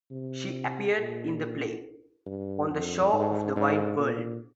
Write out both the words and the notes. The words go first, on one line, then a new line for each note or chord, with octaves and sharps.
She appeared in the play, "On the Shore of the Wide World".
C3
A#2
G2
F2
G#2
G#2
A#2